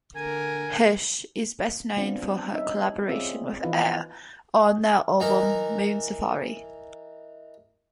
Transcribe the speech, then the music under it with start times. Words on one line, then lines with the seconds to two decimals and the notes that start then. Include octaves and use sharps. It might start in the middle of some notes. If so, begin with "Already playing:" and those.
Hirsch is best known for her collaboration with Air on their album "Moon Safari".
0.16 D3 A#4 G#5
1.97 B3 C4 D4 F4
2.23 G3
2.53 C#4 D#4 E5
3.09 C4 C#4 F4 G#4 D5 E5
3.63 E3 F3 B3 D#4 F4 B4
3.82 E4
5.20 E3 D#4 A#4